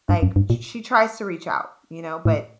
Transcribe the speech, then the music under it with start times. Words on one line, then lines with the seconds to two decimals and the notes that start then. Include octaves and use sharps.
like, sh sh she tries to reach out, you know, but
0.09 G2
0.23 F#2
0.36 G2
0.50 A#2
2.25 A2